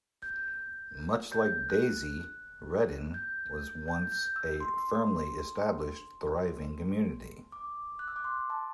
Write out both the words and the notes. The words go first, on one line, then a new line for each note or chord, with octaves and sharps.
Much like Daisy, Redden was once a firmly established, thriving community.
G6
G6
F#6
G6
G6
G6
E6
C6
D6
F#6
E6
D6
C6
A5